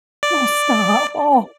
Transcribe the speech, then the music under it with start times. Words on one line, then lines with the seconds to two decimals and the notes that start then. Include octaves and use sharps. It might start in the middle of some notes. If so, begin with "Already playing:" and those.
Oh, stop. Oh
0.23 D5